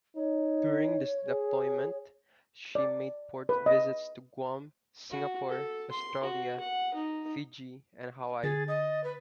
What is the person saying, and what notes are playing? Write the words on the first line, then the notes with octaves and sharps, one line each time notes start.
During this deployment, she made port visits to Guam, Singapore, Australia, Fiji and Hawaii.
D#4 C#5
G#4
D5
B4
D#5
F#4
A4
C6
F#4
F#5
D#4
D3 G#4 A6
D#5
B4